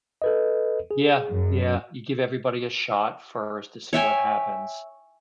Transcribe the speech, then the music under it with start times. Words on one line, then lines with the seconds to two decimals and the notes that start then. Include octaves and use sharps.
Yeah, yeah, you give everybody a shot first to see what happens,
0.22 A4 B4 D#5
0.91 G#4
1.31 F#2
3.93 C#5 E5 G5 G#5